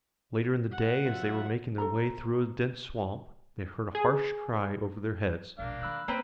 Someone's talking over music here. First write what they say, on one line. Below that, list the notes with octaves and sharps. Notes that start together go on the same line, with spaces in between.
Later in the day, as they were making their way through a dense swamp, they heard a harsh cry over their heads.
F#5
F#3 F4 E5
A4 C5 A#5
G#4
E1 A#1 A#3 D4 F5
D3 D#3 B5 E6 F#6
A#3 C4 C#4 B4